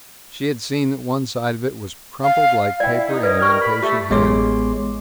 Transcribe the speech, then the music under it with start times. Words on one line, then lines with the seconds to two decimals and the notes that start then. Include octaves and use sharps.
She had seen that one side of it was crumpled like paper in an impatient hand.
2.23 F5
2.80 E4 D5 G5
3.09 D#4
3.23 F#2 A#4 B4 D5 D#5
3.39 G4 A#4 D5 C#6 F6
3.62 B5
3.83 A3 G4
4.10 A1 G#3 B3 C#5 C6 D6